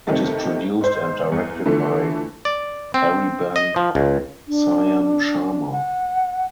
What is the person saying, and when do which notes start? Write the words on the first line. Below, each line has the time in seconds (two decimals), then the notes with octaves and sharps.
It is produced and directed by Aribam Syam Sharma.
0.07 F2 C3 D#3 A3
0.81 G#2 C5
1.32 E2
1.66 D3 E3 F3 A3
2.45 D5
2.94 C4
3.56 D#5
3.76 F3
3.95 C#2
4.48 D4
5.71 F#5